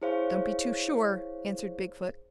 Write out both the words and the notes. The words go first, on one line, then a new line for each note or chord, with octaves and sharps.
"Don't be too sure," answered Big-foot.
E4 G#4 C5 C#5 F5